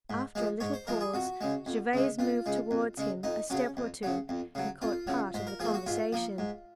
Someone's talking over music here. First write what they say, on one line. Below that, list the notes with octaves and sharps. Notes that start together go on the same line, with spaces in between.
After a little pause Gervase moved towards him a step or two, and caught part of the conversation.
G#2
F3 G#3
G#2 C#5
C5
F3 G#3 A#4
G#4
F2 F#4
C#3 G#3
F2
C#3 G#3
F2 F4
C#3 G#3
F2
C#3 G#3
F2 D#4
C#3 F#3 C#4
F2
C#3 F#3
F2
C#3 F#3
F2 F4
C#3 F#3
G#2 C5
A#4
F3 A#3 G#4
F#4
G#2 F4
F3 A#3
G#2